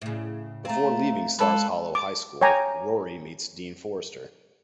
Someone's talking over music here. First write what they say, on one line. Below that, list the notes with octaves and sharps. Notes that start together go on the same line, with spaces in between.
Before leaving Stars Hollow High School, Rory meets Dean Forester.
A2 C#3
A3 C4 F5 A#5
G#3 F4 A4 B4 B5
D6
C#5 G5 G#5 A#5 D6